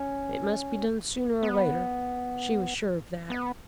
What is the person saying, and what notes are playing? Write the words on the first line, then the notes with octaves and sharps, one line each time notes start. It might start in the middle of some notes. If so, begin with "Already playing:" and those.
It must be done sooner or later--she was sure of that.
Already playing: C#4
B3
B3